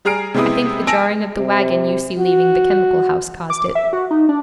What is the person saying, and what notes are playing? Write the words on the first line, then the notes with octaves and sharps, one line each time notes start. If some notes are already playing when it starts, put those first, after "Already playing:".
I think the jarring of the wagon you see leaving the chemical house caused it.'
G3 G#4 A#5 F6 C7 D7
C3 G#3 B3 E4 D#6
G#5 A5 E6 A#6 D7
C3
F#4
D6
E5
F#4
D#4
D4